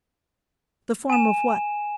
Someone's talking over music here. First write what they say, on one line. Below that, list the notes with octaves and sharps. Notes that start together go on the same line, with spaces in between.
The form of what?
G#5 E7